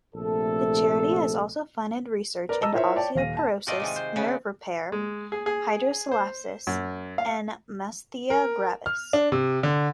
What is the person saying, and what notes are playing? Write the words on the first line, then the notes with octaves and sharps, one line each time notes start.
The charity has also funded research into osteoporosis, nerve repair, hydrocephalus and myasthenia gravis.
A#1 C3 A3 A4
A#4 B4 D5
D#5 A5 A#5 E6
E4 F4 A#4 C5 C#5 E5
C#5 D5 G5 A5
D#1 F5 A#6 D#7
A5
A2 C3 A3 F4 D5 D#5
C3 D#3 G#3
C5
C#3 B3
G#3
G#4
G#4
C5
F#2
F5
A#4
F6
D4
C3
D3